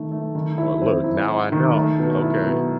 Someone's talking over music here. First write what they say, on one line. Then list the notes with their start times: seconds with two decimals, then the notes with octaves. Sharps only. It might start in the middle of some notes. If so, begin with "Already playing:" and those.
Well, look, now I know. Okay.
Already playing: D#3 A3
0.12 A3
0.35 D#3
0.58 E4
0.82 C4
1.04 E4
1.28 E4
1.52 D#3
1.75 A3
1.99 B2
2.22 E4
2.44 B2